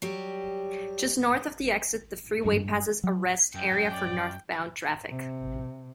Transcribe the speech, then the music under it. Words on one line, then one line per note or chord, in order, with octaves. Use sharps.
Just north of the exit, the freeway passes a rest area for northbound traffic.
F#3 G3 G4
G2
F#3
F#2 G5
D5
C3